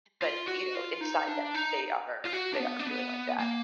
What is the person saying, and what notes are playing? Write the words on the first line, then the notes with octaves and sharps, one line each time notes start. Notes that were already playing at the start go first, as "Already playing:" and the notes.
but, you know, inside that they are they are feeling like that.
F4
F#4
F4
D#4
D4
D#4
F4
F#4
D4
B3
D4
B3
A#3